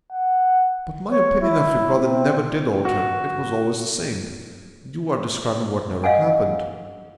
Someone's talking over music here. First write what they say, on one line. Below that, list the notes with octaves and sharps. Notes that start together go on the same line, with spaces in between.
"But my opinion of your brother never did alter; it was always the same. You are describing what never happened."
F#5
C#5
E4
C4
F#4
D#5 F5 F#5 G#5